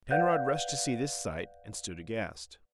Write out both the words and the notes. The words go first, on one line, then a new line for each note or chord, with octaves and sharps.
Penrod rushed to see this sight, and stood aghast.
B4 D5 F5 F#5 F#6 G6